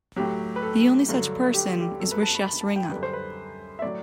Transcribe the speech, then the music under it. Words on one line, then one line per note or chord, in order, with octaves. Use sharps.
The only such person is Rishyasringa.
A2 F#3 G4
B4
A4
G2 D3 F#3
G4
G4
F#2 F#3 A4
B4
A5
B5
B5
A5
G5
F#2 D3 G3 B4
C5
B4
E5
A2 F#3 D5